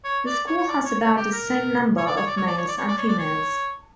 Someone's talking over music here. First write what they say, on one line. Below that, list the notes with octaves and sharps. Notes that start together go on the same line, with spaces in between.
The school has about the same number of males and females.
C#5
D5
C#5
C#5
D5
C#5
C#5
G4
A#4
C#5
D5
C#5
D5
C#5
D5
C#5
D5
C#5
D5
C#5
D5
C#5